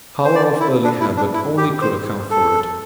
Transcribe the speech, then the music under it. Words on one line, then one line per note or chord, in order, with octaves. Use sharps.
The power of early habit only could account for it.
C5
D5
E4
D4
E4
D4
E4
G4
C5
A4